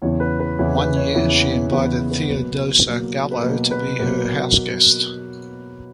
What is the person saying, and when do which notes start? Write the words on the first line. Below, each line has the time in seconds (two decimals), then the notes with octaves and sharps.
One year, she invited Theodosia Gallow to be her house-guest.
0.02 E2 C#3 E3 B3 C#5
0.20 B4
0.40 B4
0.58 E2 C#3 E3 B3 C#5
0.77 B4
0.96 C#5
1.15 E2 C#3 E3 B3
1.72 E2 C#3 E3 B3 B4
2.11 B4
2.29 B2 F#3 A#3 B4
2.85 B2 F#3 A#3
3.31 B4
3.42 B2 F#3 A#3 A#4
3.71 B4
3.99 B2 F#3 A#3 B4